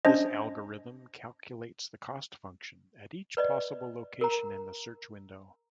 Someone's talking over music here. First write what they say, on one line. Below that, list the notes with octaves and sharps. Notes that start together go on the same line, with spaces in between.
This algorithm calculates the cost function at each possible location in the search window.
C#4 D4 C5 D#5
B4 D5 D#5
A#4 A#5